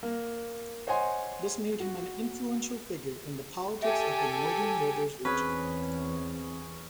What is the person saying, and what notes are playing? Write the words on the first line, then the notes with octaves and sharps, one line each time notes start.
This made him an influential figure in the politics of the Northern Rivers region.
A#3
C5 C#5 D#5 F#5 G#5 C6
F#4
G4 A4 E5 G#5
E2 C4 C#4 G#4 B4